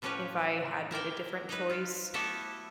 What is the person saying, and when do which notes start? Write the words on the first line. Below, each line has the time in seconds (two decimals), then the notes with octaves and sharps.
if I had made a different choice,
0.02 A2 F3 C#4 G4 B4 C#5
0.91 E4 A#4 D5 G5
1.49 D#4 B4
1.70 F4
2.14 A3 B3 E4 F#4 G4 A4